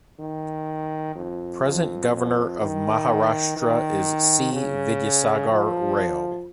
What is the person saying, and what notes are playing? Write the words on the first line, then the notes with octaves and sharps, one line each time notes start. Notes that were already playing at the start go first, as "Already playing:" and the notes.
Present governor of Maharashtra is C. Vidyasagar Rao.
D#3
F2
F2
F2
D#3
D#3
C#3
F3